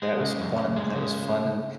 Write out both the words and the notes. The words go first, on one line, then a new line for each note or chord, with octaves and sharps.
that was fun, that was fun, and
G#3
C#3
F#2
F#2
G#3
C#3